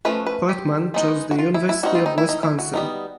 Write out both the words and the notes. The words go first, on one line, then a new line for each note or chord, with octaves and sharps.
Portmann chose the University of Wisconsin.
F3 A3 C#4 B4
B4
G4
G#3 B3 D#4
F#4
F4
E4
E4
G3 C4 D#4 F#4
F4
D#4
E4
D#4
E4
F#4
G3 B3 D#4